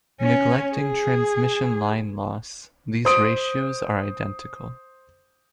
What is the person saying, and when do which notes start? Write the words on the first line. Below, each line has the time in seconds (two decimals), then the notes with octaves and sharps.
Neglecting transmission line loss, these ratios are identical.
0.21 C#4
0.74 G#4
3.05 C5 D#6 D7